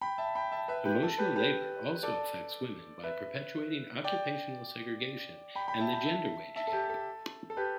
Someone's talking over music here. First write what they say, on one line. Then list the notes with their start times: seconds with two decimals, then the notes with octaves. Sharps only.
Emotional labor also affects women by perpetuating occupational segregation and the gender wage gap.
0.01 G5 B5
0.18 E5 A5
0.35 G5 B5
0.52 E5 A5
0.68 B4 E5
0.85 G4 B4
1.03 A4
1.18 G4 B4
1.36 G4 B4
2.03 A4 D5
3.04 B4 E5
4.04 D5 G5
5.55 G5 B5
5.68 G5 B5
5.80 E5 A5
5.93 G5 B5
6.06 E5 A5
6.56 E5 A5
6.67 A4
6.73 G4
6.89 A4
7.50 A4
7.57 G4 B4